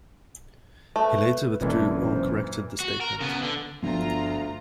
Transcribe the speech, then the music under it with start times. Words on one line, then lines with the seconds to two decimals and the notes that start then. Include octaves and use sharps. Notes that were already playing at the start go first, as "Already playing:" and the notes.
He later withdrew or corrected the statement.
0.96 A3 B4
1.61 E1 F#2 A#2 E3 C#4 D4 A4
2.03 C5
2.80 F#4
3.01 A#4
3.21 C#3 B3
3.43 D3
3.83 G1 D2 F3 B3 F4 A#5